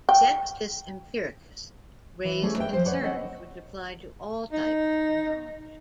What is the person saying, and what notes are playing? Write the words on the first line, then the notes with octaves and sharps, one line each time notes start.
Sextus Empiricus raised concerns which applied to all types of knowledge.
G5
E3
G3 A3 C#4 G#4 D5
B4 E5 G5
F3 C5
B4 C#5 D5 F#5
C4 C#4 D#5 F#5
D#4